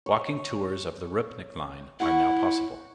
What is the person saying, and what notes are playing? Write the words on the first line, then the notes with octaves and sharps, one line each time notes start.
Walking tours of the Rupnik Line are now possible.
C#5
E4 F#5 C#6